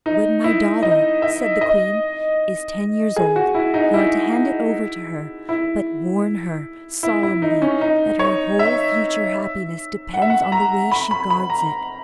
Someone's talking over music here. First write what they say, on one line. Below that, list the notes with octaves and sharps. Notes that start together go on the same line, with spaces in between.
'When my daughter,' said the queen, 'is ten years old, you are to hand it over to her, but warn her solemnly that her whole future happiness depends on the way she guards it.
D#4
E4
D#5
E5
D#5
G#4
F#4
E4
D#4
E4
E4
E4
E4
D#4
C#4
D#4
C#5
E5
F#5
E5
F#5
A#5
B5
B5
B5
A#5